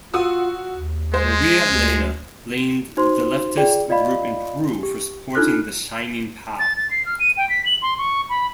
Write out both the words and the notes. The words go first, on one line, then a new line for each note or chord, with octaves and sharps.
Maria Elena blamed the leftist group in Peru for supporting the Shining Path.
F4 F#4 D#6 E6
D#2
G#3 C5
D2
D#4 F#4 C5 C6
F4 G#4 D5 G5
F4 D5 D#5 F5 B5
G4
D4 D#4 F4 A4 F6 F#6
A6
A6
C7
F6
D#7
G5
B6
F#7
C6
C#6
B5